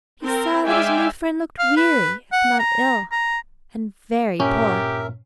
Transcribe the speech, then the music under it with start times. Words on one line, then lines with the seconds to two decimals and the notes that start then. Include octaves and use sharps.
He saw that his new friend looked weary, if not ill, and very poor.
0.22 C4 A#4
0.65 G#3 D5 E5 F5 G5 G#5
1.59 F5
1.77 B4
2.32 F#5
2.59 A#5
3.11 A#5
4.40 G2 A#2 C#4 G4 A#4 E5